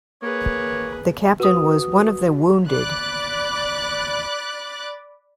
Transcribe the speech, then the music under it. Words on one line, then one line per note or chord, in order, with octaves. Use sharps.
The captain was one of the wounded.
A#3 G#4 B4 C#5
F#4 B4 D#6
D5 B5 D6 F#6 A6